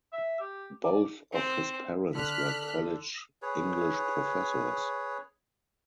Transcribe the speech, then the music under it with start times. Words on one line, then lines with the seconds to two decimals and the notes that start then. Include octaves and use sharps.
Both of his parents were college English professors.
0.13 E5
0.40 G4
0.84 D5
1.32 C4
2.15 D3 D4 A4 F6 F#6 B6
3.42 G#4 B4 C#5